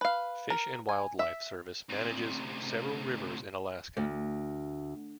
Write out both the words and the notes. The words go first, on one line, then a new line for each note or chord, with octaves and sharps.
Fish and Wildlife Service manages several rivers in Alaska.
B4 F5
A#4
G#5
E5
D2 C3
D2